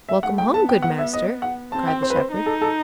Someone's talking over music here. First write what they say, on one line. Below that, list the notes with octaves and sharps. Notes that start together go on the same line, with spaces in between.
"Welcome home, good master!" cried the shepherd.
E5
A3 F#5
G5
B3 A5
G5
F#5
E5
D#5
F#5
C4 A5
G5
C5
B4
C5
D#4
A4
A4